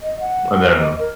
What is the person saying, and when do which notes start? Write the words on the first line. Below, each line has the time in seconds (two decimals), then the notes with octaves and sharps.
And then
0.02 D#5
0.20 F#5
0.80 D#5
0.99 A#4